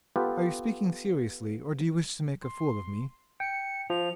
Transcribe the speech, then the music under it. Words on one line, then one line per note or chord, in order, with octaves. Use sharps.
Are you speaking seriously, or do you wish to make a fool of me?'
B3 F4 G4 A4 B4
C6
G5 C#7
F3 F7